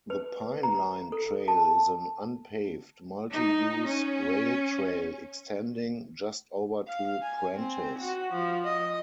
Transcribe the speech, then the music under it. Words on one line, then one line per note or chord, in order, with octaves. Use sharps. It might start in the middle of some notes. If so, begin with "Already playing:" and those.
The Pine Line Trail is an unpaved, multi-use rail-trail extending just over to Prentice.
B4
A#5
A4
A5
D#4
C#4
F5
G#5
C4
F#4
F3
D#5